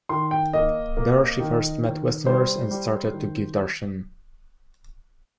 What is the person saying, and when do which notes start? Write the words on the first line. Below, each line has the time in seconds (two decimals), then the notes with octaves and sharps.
There she first met Westerners and started to give Darshan.
0.09 D#3 C6
0.31 G5
0.53 A#3 D#5
0.97 A#3
1.40 D#3
1.84 D#3
2.27 G3 C5
2.71 G3
3.14 D#3